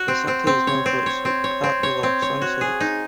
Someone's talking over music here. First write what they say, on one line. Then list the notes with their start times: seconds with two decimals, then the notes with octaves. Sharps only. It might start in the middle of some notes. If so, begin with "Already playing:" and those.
The city is known for its spectacular sunsets.
Already playing: F#4
0.08 C4
0.28 C4
0.47 C4
0.67 C#5
0.86 C4
1.06 C#5
1.25 C4
1.44 C#5
1.64 C4
1.83 C#5
2.03 C4
2.22 C#5
2.42 F#4
2.61 G#4
2.80 D#4